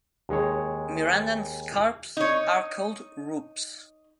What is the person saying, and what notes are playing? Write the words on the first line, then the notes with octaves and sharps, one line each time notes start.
Mirandan scarps are called rupes.
D#2 G#3 C#5
D#4 C#5